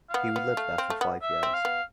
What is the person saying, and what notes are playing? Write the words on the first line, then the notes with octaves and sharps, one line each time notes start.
He would live there for five years.
B3 F5
B3
A3
C4
A3
B3
E5
C4
F5
B3